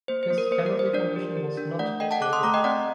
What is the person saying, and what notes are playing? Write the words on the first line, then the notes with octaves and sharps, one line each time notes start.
His family condition was not so good.
A#3 C5
C5
A#3
A#4
A#3 C5
A#4
A#3
C5
D4 A#4 D5
G4
G4
D4
A3 D5 F#5
A4 D#5 G5
F#5 A5
A4 D6 F#6
C6 D#6
A3 A#5 D6
D#5 G5
C4 D5 F#5